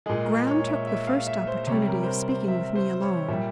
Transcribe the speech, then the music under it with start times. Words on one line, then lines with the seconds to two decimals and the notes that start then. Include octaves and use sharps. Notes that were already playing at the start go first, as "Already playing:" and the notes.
Graham took the first opportunity of speaking with me alone.
0.06 G#3 G#4
0.09 A#2
0.27 A#4
0.47 C#5
0.67 E5
0.87 E5
1.07 F5
1.27 E5
1.47 C5
1.67 C3 C#5
1.71 G3
1.88 A#4
2.03 C5
2.07 A#4
2.29 C5
2.48 E5
2.75 C5
3.02 C#5
3.28 A#2 G3 E5